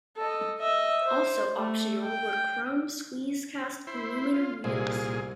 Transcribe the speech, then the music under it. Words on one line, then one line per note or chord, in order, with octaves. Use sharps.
Also optional were chrome squeeze-cast aluminum wheels.
A4 D#5
D#5 E5
C5
A3
G5
E4 C5
F4
C2 A#2 G#4